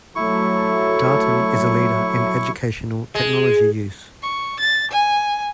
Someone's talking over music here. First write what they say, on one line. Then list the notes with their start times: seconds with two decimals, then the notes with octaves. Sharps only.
Darton is a leader in educational technology use.
0.16 F#3 A3 E4 C#6
3.15 G#3
4.23 C#6
4.60 A6
4.91 G#5